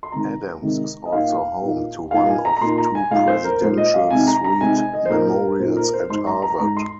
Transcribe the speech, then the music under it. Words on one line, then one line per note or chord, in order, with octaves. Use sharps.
Adams is also home to one of two Presidential Suite Memorials at Harvard.
C6
C3 D#3 G#3 D#4 A#5
C3 D#3 G#3 D#4
D#5
A#2 A#3 D#4 F5
A#2 A#3 D#4
A#2 A#3 D#4 F5
G#5
A#5
A#5
A#2 A#3 D#4 C6
A#5
G#5
A#2 G#3 D#4 F5
C5
A#4
A#2 G#3 D#4 C5
D#5
F5
C3 G#3 C4 D#4 G#5
A#5
A#5
C3 G#3 C4 D#4 G#5
G#5
D#5
C5
A#2 A#3 D#4 A#4
A#2 A#3 D#4 C5
A#4
C5
G#2 G#3 D#4 C6
A#5
A#5
G#2 G#3 D#4 A#5
C6